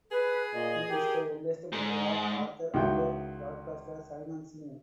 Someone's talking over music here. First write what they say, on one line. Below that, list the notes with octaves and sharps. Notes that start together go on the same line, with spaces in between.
He is the eldest brother of author and broadcaster Simon Singh.
G#4 B4
A#2 D#5
G4 A#4
G#2
C#2 D#3 E4 F#4 G5